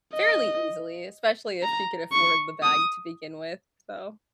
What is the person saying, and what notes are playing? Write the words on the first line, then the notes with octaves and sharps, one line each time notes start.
fairly easily, especially if she could afford the bag to begin with, so
D#5
A#5
C#6
D#6